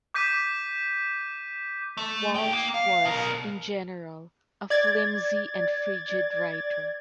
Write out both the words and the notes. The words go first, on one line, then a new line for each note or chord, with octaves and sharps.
Walsh was in general a flimzy and frigid writer.
D6 G6 B6 D#7
A3
G#4 G5
A#3
F5
B2 A#4
D5 G#6 A6